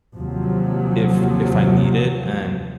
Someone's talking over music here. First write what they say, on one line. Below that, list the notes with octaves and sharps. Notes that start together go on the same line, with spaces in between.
if if I need it, and
D#2 C3 F3 F#3